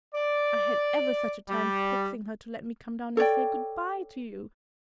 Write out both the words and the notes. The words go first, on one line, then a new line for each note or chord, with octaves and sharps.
I had ever such a time coaxing her to let me come down and say good-bye to you.
D5
G3
A4 C#5 D5 G5